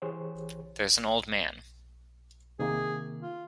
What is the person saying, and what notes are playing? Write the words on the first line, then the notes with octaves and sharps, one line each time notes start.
There's an old man.
E3 G4 G#4 C5 C#5
C3 D#3 A#3 G#4
F4